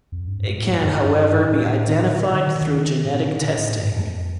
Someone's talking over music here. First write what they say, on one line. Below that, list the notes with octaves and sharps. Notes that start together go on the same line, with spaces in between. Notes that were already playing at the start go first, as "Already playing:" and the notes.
It can, however, be identified through genetic testing.
F2
G2
A2
A2
G2
F2
G2
A2
A#2
D3
A#2
C3
D3
D#3
A2
A#2
C3
D3
D3
A2
G2
F2